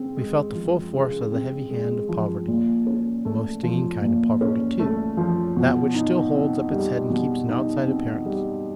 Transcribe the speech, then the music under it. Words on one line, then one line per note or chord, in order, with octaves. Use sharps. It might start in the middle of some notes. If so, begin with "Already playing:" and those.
We felt the full force of the heavy hand of poverty--the most stinging kind of poverty too, that which still holds up its head and keeps an outside appearance.
Already playing: C#3 C4
G#3
F3
C#3
C4
G#3
F3
A#2
C#4
A3
F3
A#2
C#4
A3
F3
B2
D#4
C4
G3
B2
D#4
C4
G3